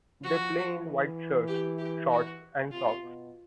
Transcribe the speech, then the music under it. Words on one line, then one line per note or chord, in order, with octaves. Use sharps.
They play in white shirts, shorts and socks.
F3 F#4
F3
E3
G4
G4
F#4
C3 F4
B2